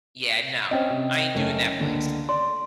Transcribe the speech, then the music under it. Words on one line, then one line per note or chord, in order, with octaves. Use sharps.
Yeah, no. I ain't doing that place.
C4 C#4 C5 D#5 G5
C3
F#1 A3 C#4
C#2 D3 A#3
D5 C6